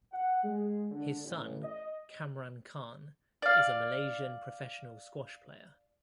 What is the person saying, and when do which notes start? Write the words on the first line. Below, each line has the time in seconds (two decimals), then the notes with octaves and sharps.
His son Kamran Khan is a Malaysian professional squash player.
0.13 F#5
0.44 G#3
0.91 D3
1.23 A1
1.63 D#5
3.42 D5 F5